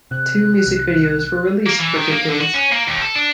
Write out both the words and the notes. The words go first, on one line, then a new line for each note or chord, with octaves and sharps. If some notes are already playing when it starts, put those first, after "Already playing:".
Two music videos were released for "Good Days".
C3 F#6
C2
A#3
E3
D#3
A#3
D3
F#4
C#4
A#3
D#2
A4
D4